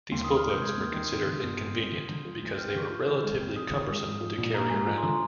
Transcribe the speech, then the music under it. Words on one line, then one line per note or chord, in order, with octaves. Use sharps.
These booklets were considered inconvenient, because they were relatively cumbersome to carry around.
D#2 C6
D#6
D#3
F6
F1 G6
G#3 G#6
D#2
D#3
F2
D3
G1
G#3
F2
D3
D3
F3
D2
G6
C4 F6
D3
F3
D#3
G#3
F2
F2 D#6
D#3
G#3
G#2
F3
A#1
A#3 A#5
G#2 G#5
F3 G#5
C6
D3 A#5